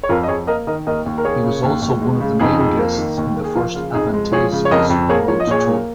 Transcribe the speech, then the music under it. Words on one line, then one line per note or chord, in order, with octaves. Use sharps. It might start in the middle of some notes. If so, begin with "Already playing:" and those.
He was also one of the main guests in the first Avantasia's world tour.
C#5
F2 F4 A#4
D#5
F2 G#4 C#5
A#3 A#4 D#5
D#3 A#4 D#5
D#2 A#4 D#5
D#2
A#4
A#3 G#4 C#5
C#3
D#2
D#2
G#3
C#3
F2 D#4 G#4
F2
A#3
D#3
D#2
A#3
G#4
F3 F4
C#3 F4
F2 D#4 G#4
G#3
F3 G#4 C#5
C#3
C#5
F2 A#4 D#5
F2
A#3 G#4 C#5
F3 C#5
D#5
A#2 G#4 C#5
A#3